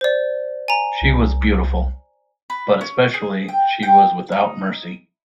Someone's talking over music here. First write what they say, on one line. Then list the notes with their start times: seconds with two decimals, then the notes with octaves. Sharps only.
She was beautiful — but especially she was without mercy.
0.01 C5 D5
0.68 G#5 A#5
1.01 C2
2.50 B4
2.81 C#4
3.14 G#4
3.48 G5
3.83 G5
4.32 D#4